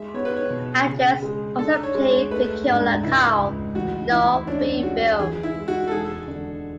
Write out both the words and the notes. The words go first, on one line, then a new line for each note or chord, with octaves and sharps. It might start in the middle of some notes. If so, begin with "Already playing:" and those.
Andreas also played the killer, Karl, in all three films.
Already playing: G#3 E5
B3 C#5
B4
C#5
B2
C#3
G#3
D4 A4
C#5
G#3
C#5
A3 B4
G#2 D4
C#2 E4
C#2
A1 F#4
A1 E4
C#4 D4
G#3 F#4
E3 G#4
E4
G#3
F#4
A4
E1 G#4
D3